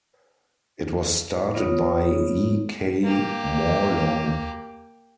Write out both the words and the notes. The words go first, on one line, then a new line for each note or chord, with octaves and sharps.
It was started by E. K. Mawlong.
B3 F4 A#4 C#5 D#6
A#3 G4